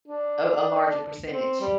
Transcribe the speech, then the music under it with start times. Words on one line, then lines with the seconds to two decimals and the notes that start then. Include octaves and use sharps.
a a larger percentage.
0.08 D4
1.30 C4
1.61 G3